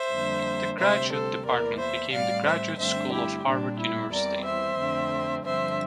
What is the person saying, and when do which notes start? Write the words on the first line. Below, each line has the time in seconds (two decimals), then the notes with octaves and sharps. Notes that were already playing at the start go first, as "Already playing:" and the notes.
The Graduate Department became the Graduate School of Harvard University.
Already playing: C5 E5
0.12 F2 D3 G3 A#3
0.79 D2 C3 G3 C4 C5 E5
1.12 A4 C5
1.45 E2 E3 A#3 A#4 D5
1.79 C5 E5
2.12 A2 G3 C4 D5 F5
2.45 C5 E5
2.78 G2 D3 A3 C4 C5 E5
3.12 E4 G4
3.45 A#2 G3 C4 D4
3.78 E4
4.11 E2 E3 G3 C4 A#4 D5
4.45 C5 E5
4.78 F2 D3 A3 C4
5.44 G2 D3 F3 C4 C5 E5